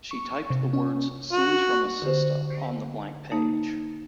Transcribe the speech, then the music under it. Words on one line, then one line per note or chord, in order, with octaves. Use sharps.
She typed the words, "Scenes from a Sistah" on the blank page.
C#6
C#6
C3
C#4
F#4
D3 G4 C5
A#3 D#4 A5